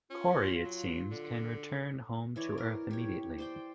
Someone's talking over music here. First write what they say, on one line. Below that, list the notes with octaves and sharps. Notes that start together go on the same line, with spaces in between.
Corry, it seems, can return home to Earth immediately.
C#4 F4
F#3
D3
E3 E4 C#5 D5
A#4
G4 C#5
C5 D5 G5